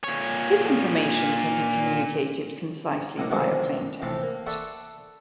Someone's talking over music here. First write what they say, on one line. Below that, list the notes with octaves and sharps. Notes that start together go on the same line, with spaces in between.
This information can be communicated concisely via plaintext.
A#2 C#5
C2 A2 A#3 D#4 F#5 D6
B2 D3 D#3 F3 F#3 G#3
A2 C3 E3 F3 A3
A#3
A4 D5 E5 F#5 C6 C#6